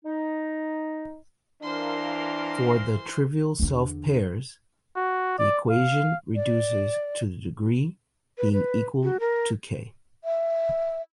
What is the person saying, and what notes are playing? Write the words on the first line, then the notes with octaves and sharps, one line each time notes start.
For the trivial self-pairs, the equation reduces to the degree being equal to "k".
D#4
E3 D4 A#4 C5 F5 C6
E2 D3
F#4
D5
F5
D5
B4
B4
F#4
A#4
E5